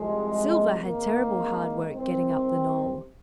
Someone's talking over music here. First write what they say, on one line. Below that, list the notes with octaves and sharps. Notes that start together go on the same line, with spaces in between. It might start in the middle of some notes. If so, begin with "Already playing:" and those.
Silver had terrible hard work getting up the knoll.
Already playing: C2 C3 F3 G#3
G#1 G#2 D#3 A#3
C2 C3 D#3 C4